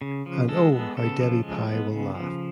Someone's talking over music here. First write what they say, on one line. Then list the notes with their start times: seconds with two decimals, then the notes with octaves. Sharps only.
And oh, how Debbie Pye will laugh!
0.01 C#3
0.26 F3
0.49 G#3 A4
0.72 B3
0.97 C#3 A4
1.20 F3
1.43 G#3
1.68 B3
1.91 C#3
2.15 F3